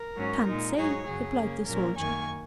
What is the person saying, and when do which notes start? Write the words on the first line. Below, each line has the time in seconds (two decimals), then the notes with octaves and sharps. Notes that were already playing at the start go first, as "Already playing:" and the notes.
"Can't say," replied the soldier.
Already playing: A#4
0.16 G#2 F#3 C#4
0.45 A#2 G#3 D#4
0.76 G#2 F#3 D#4 G#4 C#5
1.06 F#2 C#3 F#3 G#4
1.37 C#3 A#3 C#4
1.66 A#2 F#3 A#3 C#4 A#4
1.97 F#2 D#3 A#3 G#5 C#6